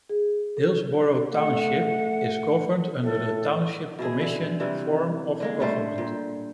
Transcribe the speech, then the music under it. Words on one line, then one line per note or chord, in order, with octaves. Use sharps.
Hillsborough Township is governed under the Township Commission form of government.
G#4
A4
A3 F#5
A2 A4
B2 E4 G#4
D3 E4
C3 E3 G3
D3 G#3 A#3
D3 G3 A3 C5
A#2 G5